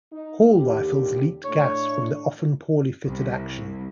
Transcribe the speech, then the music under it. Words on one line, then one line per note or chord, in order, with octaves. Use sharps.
Hall rifles leaked gas from the often poorly fitted action.
D#4
D#2 D3 G4
A2 A3 D4 C#5
C2